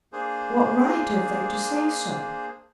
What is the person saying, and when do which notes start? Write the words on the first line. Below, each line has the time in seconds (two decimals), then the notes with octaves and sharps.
What right have they to say so?
0.13 A#3 D4 G#4 C5